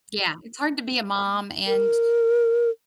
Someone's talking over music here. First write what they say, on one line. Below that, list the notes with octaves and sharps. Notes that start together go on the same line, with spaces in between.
Yeah, it's hard to be a mom and
A#4